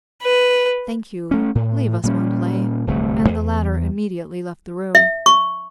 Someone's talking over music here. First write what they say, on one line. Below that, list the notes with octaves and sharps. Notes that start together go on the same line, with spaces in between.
"Thank you; leave us, Montalais," and the latter immediately left the room.
B4
A3 C#4
A2
A#2 G3 C#4
D1 C2 A3
E2
E5
C#6